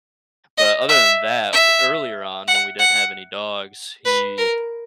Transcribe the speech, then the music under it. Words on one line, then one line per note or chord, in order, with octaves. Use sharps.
but other than that, w earlier on, when we didn't have any dogs, he
D#5
E5
E5
F#5
F#5
B4
A#4